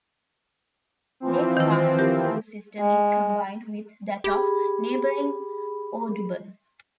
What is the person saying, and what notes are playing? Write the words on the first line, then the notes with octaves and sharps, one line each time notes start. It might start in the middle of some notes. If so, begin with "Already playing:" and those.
Lake Park's school system is combined with that of neighboring Audubon.
E3 F3 C4
D#3 E4
G4 A#4
G#3
G4 G#4 B5